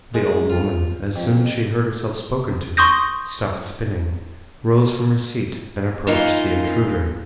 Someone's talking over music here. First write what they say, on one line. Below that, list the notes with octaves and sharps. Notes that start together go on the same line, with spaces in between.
The old woman as soon as she heard herself spoken to stopped spinning, rose from her seat and approached the intruder.
G#3
F4
F2
C6 C#6 D#6 G6 A#6
E3 A#3 D#4 F4